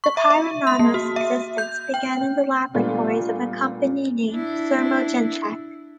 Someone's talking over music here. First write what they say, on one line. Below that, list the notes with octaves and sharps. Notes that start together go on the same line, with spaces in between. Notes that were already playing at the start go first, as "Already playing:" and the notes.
The Pyronanos existence began in the laboratories of a company named Thermogentech.
C#6
E5
E5
C6
A#3
F#4
E5
G6
G5
A#2 G3 A3 B3 D4 F4
D4 E4